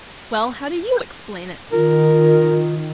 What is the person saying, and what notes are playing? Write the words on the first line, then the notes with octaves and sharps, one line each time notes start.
"Well, how do YOU explain it?"
D#3 F4 A#4